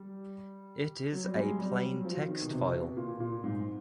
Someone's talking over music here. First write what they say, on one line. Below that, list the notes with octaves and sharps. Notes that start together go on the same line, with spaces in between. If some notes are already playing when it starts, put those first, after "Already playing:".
It is a plain text file.
Already playing: G3
F#3
G3
G#3
F#3
G3
F#3
F#3
F3
D#3
B2
C3
B2
A#2
A#2
G#2